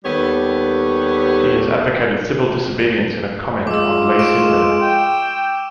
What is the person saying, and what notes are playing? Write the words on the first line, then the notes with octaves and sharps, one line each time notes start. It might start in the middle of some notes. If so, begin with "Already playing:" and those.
He has advocated civil disobedience in a comment on Ley Sinde.
D#2 G3 B3 G4 A4 C#5
G#3 F4 D6 E6
C#6 D7 E7
G5